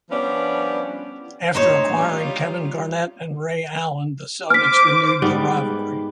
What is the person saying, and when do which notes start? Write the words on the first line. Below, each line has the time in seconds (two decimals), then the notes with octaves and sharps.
After acquiring Kevin Garnett and Ray Allen, the Celtics renewed the rivalry.
0.11 F3 G3 B3 C#4 D4
1.54 A2 D4 D#4 C5 C#5
1.96 G3 F4
4.50 C5 D6 F6 B6
5.22 G#2 G3 B3